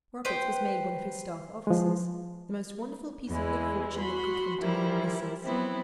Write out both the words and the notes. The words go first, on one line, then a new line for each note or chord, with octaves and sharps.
Roberts was made one of his staff officers--"the most wonderful piece of good fortune that could come to me," he says.
B4 C5 G5
F3 G#3
E2 E3 G#3 E4
F#4 B5 C6
E3 F3 G3 E4 A#4
F#3 B3 C4 E4